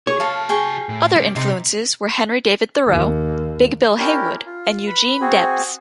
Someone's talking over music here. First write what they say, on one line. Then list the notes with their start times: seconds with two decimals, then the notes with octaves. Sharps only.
Other influences were Henry David Thoreau, Big Bill Haywood and Eugene Debs.
0.07 G#4 C#5
0.20 F#4 A4 F5 A5
0.49 G#4 G5 C#6
0.89 A2
1.16 G#3 C#4 G4
1.36 C3 D#4 C6
2.87 D#2
3.98 C#4 D4 E4 G4 A#4
4.46 F4
4.87 B4 B5
5.21 C4 F#4 G#4